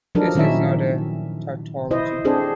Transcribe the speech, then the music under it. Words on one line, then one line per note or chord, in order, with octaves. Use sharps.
This is not a tautology.
F3 F#3 D4 D#4 A4 A#4
A#2 D#3 F#3 C#4 E4 E5
E4 C5 D#5
C4 D4 G#4 A4 C5